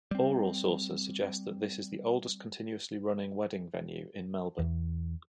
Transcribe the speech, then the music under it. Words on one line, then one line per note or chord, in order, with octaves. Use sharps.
Oral sources suggest that this is the oldest continuously running wedding venue in Melbourne.
G3 C4
E2